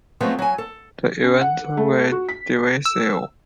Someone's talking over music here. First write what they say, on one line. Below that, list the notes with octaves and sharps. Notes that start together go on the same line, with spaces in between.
The events were divisive.
F3 F#3 G#3 A3 B3 C4
F#3 G#5
A4
C#4
F#5
A3
F#4
B6
E6